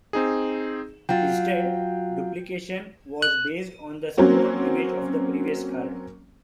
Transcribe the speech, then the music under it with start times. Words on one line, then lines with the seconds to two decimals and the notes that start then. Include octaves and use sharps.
Instead, duplication was based on the stored image of the previous card.
0.13 C4 D#4 G#4
1.09 F#3 F4 G5
3.22 F#6
4.17 F#3 A#3 C4 C#4 F#4